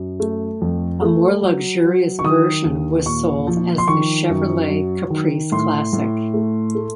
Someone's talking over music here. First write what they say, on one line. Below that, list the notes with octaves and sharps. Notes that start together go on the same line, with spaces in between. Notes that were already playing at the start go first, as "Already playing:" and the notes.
A more luxurious version was sold as the Chevrolet Caprice Classic.
Already playing: F#2
A3
F2
A3
F#3
F#3
C#6
D#3 D#6
D#2
A#2 C#6
F3
C6
D#3 C#6
F#2
F#3
D#3
A2 C6
A2
A3
A3